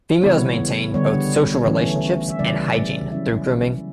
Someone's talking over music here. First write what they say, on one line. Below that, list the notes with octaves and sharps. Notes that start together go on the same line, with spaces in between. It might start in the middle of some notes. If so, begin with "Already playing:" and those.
Females maintain both social relationships and hygiene through grooming.
C#3 E3 G3 B3 E4 C#5
D3 G3 B3 C#5
E3 A3 C#4
E5
C#3 E3 G3 D5
F#3 C#4 E4 E5